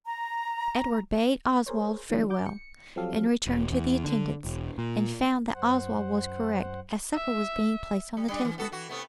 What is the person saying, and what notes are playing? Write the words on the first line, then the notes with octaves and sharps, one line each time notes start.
Edward bade Oswald farewell, and returned to the intendant's, and found that Oswald was correct, as supper was being placed on the table.
A#5
G#4 A#4 C5 C#5
D#3 F3 G3 G#3 C#4 D4
F#4 D6 G6
C#7
F3 F#3 C4 G4 A4 F5
E1
E2
D3
E1
A#2
F#2 C5 F#5
E5
G3
G3 D4
E3
B3 F#4 A4
E3 F#4
C3 A3 B3